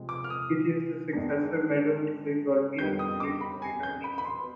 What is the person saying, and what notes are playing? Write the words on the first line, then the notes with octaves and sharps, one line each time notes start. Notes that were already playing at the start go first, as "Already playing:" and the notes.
It is the successor medal to the European Community Monitor Mission Medal.
Already playing: C3 F3 G#3
D6
F6
D#6
G#2 D#3 G#3 D4
F2 D#3 G3 B3 G6
D#6
D6
B5
G#5
G6
B5
B5
C6